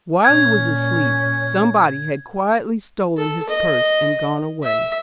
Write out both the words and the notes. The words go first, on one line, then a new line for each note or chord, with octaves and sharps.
While he was asleep, somebody had quietly stolen his purse and gone away.
A#2 C#4 G#6
A4
D#5
E5